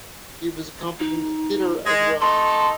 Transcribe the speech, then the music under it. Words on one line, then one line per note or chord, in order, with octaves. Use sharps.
He was a competent hitter as well.
D#4
G#3
A3 D#4 A4 C6